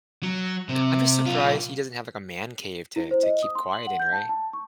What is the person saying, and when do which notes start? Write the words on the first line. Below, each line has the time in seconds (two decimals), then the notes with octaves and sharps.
I'm just surprised he doesn't have, like, a man cave to to keep quiet in, right?
0.23 F#3
0.69 C3
1.26 B1 F4
2.96 E4
3.11 C5
3.23 D#5
3.43 D#6
3.55 C6
3.73 F#7
3.87 F#5
4.00 G6
4.13 A5
4.29 A5
4.53 C#6